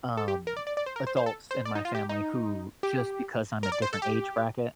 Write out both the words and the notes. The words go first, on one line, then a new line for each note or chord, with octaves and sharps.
um, adults in my family who just because I'm a different age bracket,
A4
G4
A#4
D5
D5
D5
C5
A#4
C5
C5
A4
C5
D5
D#4
F4
G4
D#4
G4
A#4
D5
C5
A4
G4